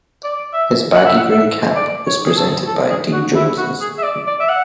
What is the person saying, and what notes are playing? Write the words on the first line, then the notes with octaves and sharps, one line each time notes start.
His baggy green cap was presented by Dean Jones.
D5
E5
F#5
E5
F#5
E5
D5
C#5
G#4
A4
A4
G#4
F#4
E4
F#4
G#4
E5
D5
D5
E5
F#5